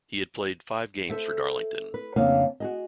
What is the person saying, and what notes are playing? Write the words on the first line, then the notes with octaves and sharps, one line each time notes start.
He had played five games for Darlington.
A4 C5 E5
B4
F2 C#3 A#3 B3 D4 F5
F#4 G#4 D#5